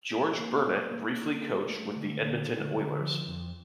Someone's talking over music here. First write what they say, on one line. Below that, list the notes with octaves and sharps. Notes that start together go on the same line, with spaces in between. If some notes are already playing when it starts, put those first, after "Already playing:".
George Burnett briefly coached with the Edmonton Oilers.
G#4
A#3
G#4
A#3
D#4
G#4
A3
D3
D3
D3
D3
F3
F2